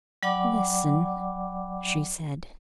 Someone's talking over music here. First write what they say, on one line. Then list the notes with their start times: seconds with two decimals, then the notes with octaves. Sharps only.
"Listen," she said.
0.23 F#3 D5 F#5 G5 B5 D6